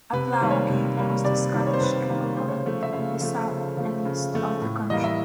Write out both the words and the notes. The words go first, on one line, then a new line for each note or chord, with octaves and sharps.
A ploughgate was the Scottish equivalent in the south and east of the country.
C3 B4
C5
D#3 G3 A#3
C#5
C3
D#3 G3 A#3
C3 D5
D#3 G3 A#3
D5
C#5
C5
C3 B4
D#3 G3 A#3
C#3 C5
C#5
C5
F3 A3
E5
C#3 F5
F3 A3
C#3
F3 A3
C#3
F3 A3
A2
E3 G3 A#3 D#5
E5